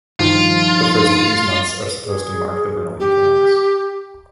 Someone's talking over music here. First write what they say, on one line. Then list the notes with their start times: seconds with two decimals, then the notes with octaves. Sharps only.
The first of these months are supposed to mark the vernal equinox.
0.19 G2 D#3 F3 F4
2.05 G#4
2.99 G4